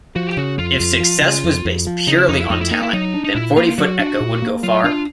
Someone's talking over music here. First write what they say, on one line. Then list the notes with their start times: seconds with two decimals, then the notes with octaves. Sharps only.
If success was based purely on talent, then Forty Foot Echo would go far.
0.16 F3 F#4
0.27 G4
0.37 C#3 F#4
0.58 F2 F4
0.80 F2
1.00 F3
1.22 C#3
1.44 F2
1.65 F2
1.87 F3
2.07 C#3 D#4
2.18 E4
2.29 F2 D#4
2.40 E4
2.50 F2 D#4
2.61 E4
2.71 A#3 D#4
2.83 E4
2.93 F#3 D#4
3.14 D4
3.24 D#4
3.35 A#2 E4
3.57 A#3 F4
3.78 F#3 F#4
3.99 D4 F#4
4.20 A#2
4.42 A#3
4.63 F#3 F4
4.84 D4 F4